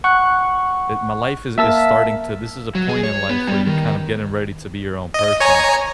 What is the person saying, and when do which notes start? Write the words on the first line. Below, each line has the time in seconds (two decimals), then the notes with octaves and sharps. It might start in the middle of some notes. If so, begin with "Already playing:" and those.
it my life is, is starting to this is a point in life where you're kinda getting ready to be your own person.
0.04 F#5 C#6 F#6
1.58 A#3 A#4 E5 A5 E6 B6
2.75 F#3
2.89 G#4
3.04 C#5
3.29 B3
3.47 G3
3.67 D#3
5.14 D#5
5.40 C#5 G#5 A#5